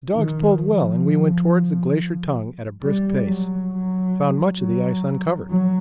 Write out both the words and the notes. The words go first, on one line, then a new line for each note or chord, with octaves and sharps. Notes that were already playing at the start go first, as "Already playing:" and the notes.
The dogs pulled well, and we went towards the Glacier Tongue at a brisk pace; found much of the ice uncovered.
D#3
F3
G3
F#3
F#3
F#3
F#3